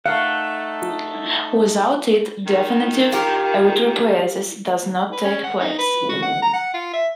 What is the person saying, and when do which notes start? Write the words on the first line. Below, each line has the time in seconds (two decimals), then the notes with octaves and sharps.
Without it, definitive erythropoiesis does not take place.
0.06 A3 D#4 A4 F5 F#5
2.47 D#3
3.12 F4 G4 A#4
5.12 B4
5.24 C#4
5.44 F#5
5.60 D#4
5.79 B4
6.09 F#4
6.23 F#5
6.42 A#5
6.54 F#5
6.74 F4
6.94 E5